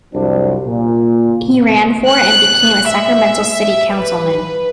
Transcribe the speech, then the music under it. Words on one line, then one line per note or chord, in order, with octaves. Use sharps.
He ran for and became a Sacramento city councilman.
C2 F2 F#3 C4 D4
A#2
F#6
E5
B4